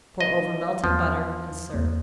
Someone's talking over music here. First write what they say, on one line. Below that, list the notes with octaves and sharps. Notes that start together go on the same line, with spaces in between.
Pour over melted butter and serve.
D#5
E2 F3
E2 A#3